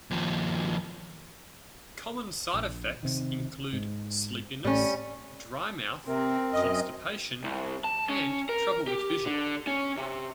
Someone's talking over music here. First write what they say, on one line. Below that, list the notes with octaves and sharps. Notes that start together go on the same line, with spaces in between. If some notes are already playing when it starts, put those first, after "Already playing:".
Common side effects include sleepiness, dry mouth, constipation, and trouble with vision.
D#2 F3
A#1
C3 D#3
G#2
A1 A2 G3 C#4
C3 C4 A#4
F#2 D#5
C2
A5
C#4
A#4
G4
D3
C#4
C3